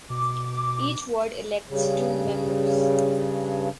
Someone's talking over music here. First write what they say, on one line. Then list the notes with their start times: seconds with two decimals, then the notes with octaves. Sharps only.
Each ward elects two members.
0.10 B2 D6
1.69 G2 C#3